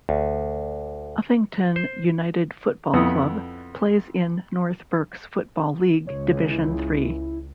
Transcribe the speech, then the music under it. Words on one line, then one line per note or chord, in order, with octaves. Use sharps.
Uffington United Football Club plays in North Berks Football League Division Three.
D2
C5
F2 B3 E4 D#6
C#2 C#5
E4